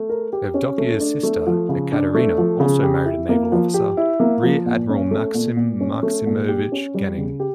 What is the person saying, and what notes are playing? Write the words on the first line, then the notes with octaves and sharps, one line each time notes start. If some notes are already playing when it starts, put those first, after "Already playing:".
Evdokiya's sister Ekaterina also married a naval officer, Rear Admiral Maksim Maksimovich Genning.
Already playing: A3
A#4
G4
C#4
A3
D4
A3
F3
C#3
D4
A3
F3
C#3
G4
E4
A#3
F3
G4
E4
A#3
F3
A#2
C#4
A3
A#2
A#2
C#4
A3
A#2
G4
C#4
G3
C#3
G4